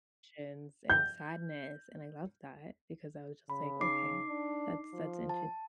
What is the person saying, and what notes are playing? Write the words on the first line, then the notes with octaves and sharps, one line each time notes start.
emotions and sadness, and I love that because I was just, like, "Okay, that's that's inter"
G6
C#3 B5
D#4 D6 C7
D4
F3
A5